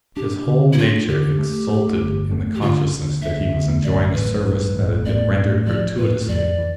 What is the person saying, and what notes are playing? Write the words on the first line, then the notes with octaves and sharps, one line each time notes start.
His whole nature exulted in the consciousness that he was enjoying a service that had been rendered gratuitously.
D4 G4
D3
E4
D4 F4
D3 G4
A3
A3
G1
A3
G4
D3 F4
D3
D2 E5
D2
A1 D5
A1 B4
G2
A1
A2 D5
A2
F3 D5
A2 B4
F2 D5
E3